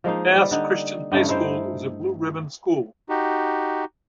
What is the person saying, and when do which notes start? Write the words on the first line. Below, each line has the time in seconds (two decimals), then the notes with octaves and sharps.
Pass Christian High School is a Blue Ribbon school.
0.04 F3 G#3 A#3 D#4
0.36 G3
0.51 D3 D#4
1.12 G2 C#3 A3 D#4
1.29 D#4 E4 C5 G5
3.09 D#4 F#4 G4